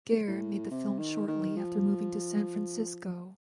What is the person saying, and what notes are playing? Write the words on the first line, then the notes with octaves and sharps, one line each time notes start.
Gehr made the film shortly after moving to San Francisco.
A2
C3
D#3
D#3
F3